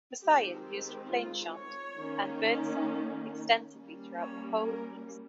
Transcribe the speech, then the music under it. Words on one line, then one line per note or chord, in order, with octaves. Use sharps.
Messiaen used plainchant and birdsong extensively throughout the whole piece.
D#3 G#3 C4 G4
G4
F4
C#5
D#3 A#3 C#4
G3 A#3 C#4
C#5
A#4